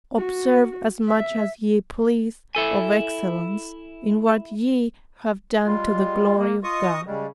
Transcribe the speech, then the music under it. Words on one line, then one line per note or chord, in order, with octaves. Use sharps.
Observe as much as ye please of excellence in what ye have done to the glory of God.
F#4
E5
E4 A4 G#5
G3 G#3 F4
A#3
F4 D#5 C#6 D#6
C#3 G3 G#3